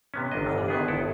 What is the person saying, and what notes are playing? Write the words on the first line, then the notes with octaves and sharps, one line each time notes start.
I don't know
C3 B3 C#4
G1 D4 D#5
B3 G#4
G1 E4 A4